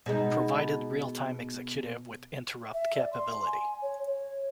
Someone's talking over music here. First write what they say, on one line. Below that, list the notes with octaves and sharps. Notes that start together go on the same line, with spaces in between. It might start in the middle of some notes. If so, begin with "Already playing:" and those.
Provided "Real Time Executive" with interrupt capability.
B2 G#3 D#4
E5
D5
C6
G#5
C#5
C#5